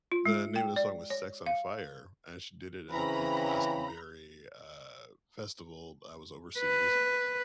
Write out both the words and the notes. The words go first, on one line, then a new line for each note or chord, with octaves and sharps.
the name of the song was Sex on Fire, and she did it at the Glastonbury, uh, Festival, b I was overseas.
F4
G#3
G5
D5
C#5
F5
C#3 E3 C4 C#4 A#5 B5
B4